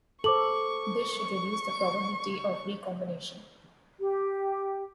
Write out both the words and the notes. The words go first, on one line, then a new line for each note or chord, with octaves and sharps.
This should reduce the probability of recombination.
A4 C5 C#6 D6 F#7
G4